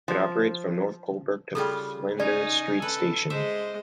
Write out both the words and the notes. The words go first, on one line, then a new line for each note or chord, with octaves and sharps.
It operates from North Coburg to Flinders Street station.
F3
C#3 G3 F4 A4 G5
C#4 D#4 D5 G#5
A4 B4
G#3 C5 D#5 E5